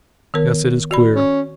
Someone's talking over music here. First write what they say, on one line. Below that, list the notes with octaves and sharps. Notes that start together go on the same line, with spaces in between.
Yes, it is queer.
D#3 B3 A#4
F#4 D5 B5
C#4